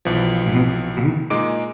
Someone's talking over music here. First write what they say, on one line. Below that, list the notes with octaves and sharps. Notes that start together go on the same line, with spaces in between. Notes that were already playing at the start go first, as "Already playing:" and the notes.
Mhm, mhm.
B1 E3 F3
A#2 G#3 D#4 D6 D7